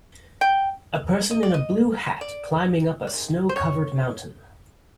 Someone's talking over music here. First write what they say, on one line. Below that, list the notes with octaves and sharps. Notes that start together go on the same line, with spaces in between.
A person in a blue hat climbing up a snow covered mountain.
G5
D#5
D5
D#5
D5
D5
C3 D#3 G#3
C5
C#5